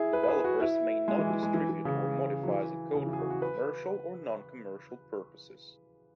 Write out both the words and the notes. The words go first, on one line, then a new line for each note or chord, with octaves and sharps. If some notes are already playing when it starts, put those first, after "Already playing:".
Developers may not distribute or modify the code for commercial or non-commercial purposes.
Already playing: E4 G#4
B4
B4
G#4
F#4
E4
G#3
E3
E3
G#3
E3
E3
C#3
F#3
E3
C#3
E3
G#4
F#4
F#4
B4